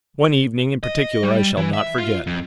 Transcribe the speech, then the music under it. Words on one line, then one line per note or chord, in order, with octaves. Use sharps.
One evening in particular I shall not forget.
D#5
G3
E3
E5
F4
F2